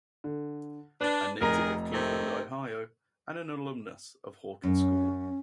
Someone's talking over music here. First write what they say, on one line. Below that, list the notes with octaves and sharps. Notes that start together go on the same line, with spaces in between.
A native of Cleveland, Ohio and an alumnus of Hawken School.
D3
D4 B4
F1 D#3 G#4 A#4 A#5 A#6
C3 D#3 A3
F#2 C#4